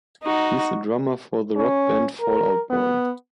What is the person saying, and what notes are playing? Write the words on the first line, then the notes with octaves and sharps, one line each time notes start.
He is the drummer for the rock band Fall Out Boy.
D#4 F#4
C#4
A#4
B3